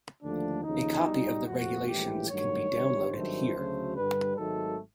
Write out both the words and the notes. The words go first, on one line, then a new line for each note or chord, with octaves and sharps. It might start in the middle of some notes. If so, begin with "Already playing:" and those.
A copy of the regulations can be downloaded here.
D#2 D3 F3 A3 D4
D#2 C#3 F3 D#4
B1 B2 G3
F2 C3 F3 A3 F#4
A#1 A2 E3 G#3 G4
G2 D#3 F#3 A3 C#5
G1 G2 D#3 G3
G#1 G2 D#3 F#3 A3 C5
D2 C#3 F#3 A3
G2 D3 G3 B4
G#1 G#2 D#3 F#3 A3 A4